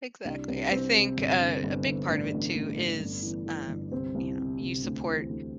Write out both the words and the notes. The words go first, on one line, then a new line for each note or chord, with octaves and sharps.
Exactly. I think a a big part of it too is, um, you know, you support
C2 D4
C2
C2 C4
C3
G1
D3
G1
G1
A1 D4
A1
A1
A2
G1
E3
E3
G1
C2 C4
C2
C3
C2
D2
E3
D2